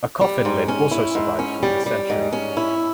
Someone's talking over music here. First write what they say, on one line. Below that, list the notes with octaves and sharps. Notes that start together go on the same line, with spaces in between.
A coffin lid also survives from this century.
G3
G#2
C#4
E4
G#2
C#4
G3
G3
G#2
C#4
E4